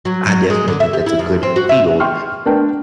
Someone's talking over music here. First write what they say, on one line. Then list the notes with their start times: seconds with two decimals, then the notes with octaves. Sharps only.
I definitely think that's a good field.
0.05 F#3
0.27 F#3
0.50 G#3
0.68 D3
0.80 E5
0.93 G4
1.06 E4
1.19 F2
1.43 C4
1.56 F#4
1.69 E5
2.00 G5 C6 C#6 F6
2.46 B3 D4 A#4 G5